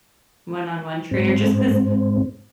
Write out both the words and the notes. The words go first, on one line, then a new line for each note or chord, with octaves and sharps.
one-on-one trainer, just 'cause
G#2 C4